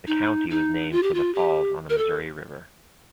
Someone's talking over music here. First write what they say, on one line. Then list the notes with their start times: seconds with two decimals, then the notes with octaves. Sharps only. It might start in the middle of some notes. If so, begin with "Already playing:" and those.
The county was named for the falls on the Missouri River.
0.07 D#4
0.50 D#4
0.91 F4
1.03 G4
1.14 F4
1.34 G4
1.89 A#4
1.98 A4